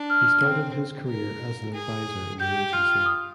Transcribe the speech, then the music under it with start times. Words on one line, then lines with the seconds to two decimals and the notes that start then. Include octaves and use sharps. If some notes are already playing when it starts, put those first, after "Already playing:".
He started his career as an advisor in the agency.
Already playing: D4
0.10 F6
0.43 C4
1.09 A#4
1.74 G#4
2.40 G4 G6
2.73 F4 F6
3.06 D#6